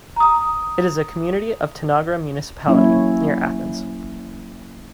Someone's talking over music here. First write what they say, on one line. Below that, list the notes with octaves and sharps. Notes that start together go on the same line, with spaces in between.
It is a community of Tanagra municipality, near Athens.
A#5 D#6
F#3 A#3 C#4 E4 C#5